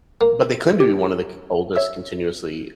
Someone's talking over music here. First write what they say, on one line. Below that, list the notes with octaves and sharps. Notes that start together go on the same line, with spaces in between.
but they claim to be one of the c oldest continuously
A#3
G4
C#5 E5 E6